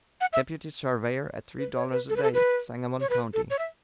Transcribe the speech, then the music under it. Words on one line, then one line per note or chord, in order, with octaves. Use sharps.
Deputy surveyor, at three dollars a day, Sangamon County.
F#5
E5
B4
C#5
B4
A4
B4
A4
B4
C#5
B4
A4
C#5
E5